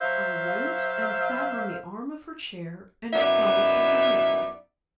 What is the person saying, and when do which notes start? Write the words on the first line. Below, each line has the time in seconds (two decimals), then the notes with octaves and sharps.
I went and sat on the arm of her chair, and held the ring up.
0.01 F#3 C5 E5 F5
3.14 F#2 B3 D#4 E4 D5 E5